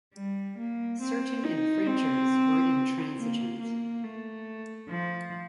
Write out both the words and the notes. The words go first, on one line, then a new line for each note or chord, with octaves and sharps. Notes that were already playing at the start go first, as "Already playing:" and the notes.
Certain infringers were intransigent.
G3
A#3
C4
D#4
C4
A#3
A#3
A3
F3